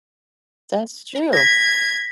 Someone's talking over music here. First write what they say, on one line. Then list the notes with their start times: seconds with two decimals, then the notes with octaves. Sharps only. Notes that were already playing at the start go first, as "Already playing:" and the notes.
That's true.
1.33 G#6 A#6 B6